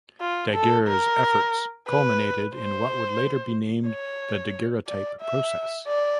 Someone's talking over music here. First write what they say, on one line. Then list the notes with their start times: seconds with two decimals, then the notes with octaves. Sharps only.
Daguerre's efforts culminated in what would later be named the daguerreotype process.
0.20 F4
0.54 A4
0.87 A#4
1.88 B4
2.54 C5
3.88 C#5
4.88 D5
5.21 E5
5.88 D5